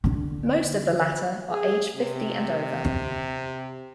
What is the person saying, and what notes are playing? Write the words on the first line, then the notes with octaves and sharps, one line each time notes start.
Most of the latter are age fifty and over.
D3
G#4
C3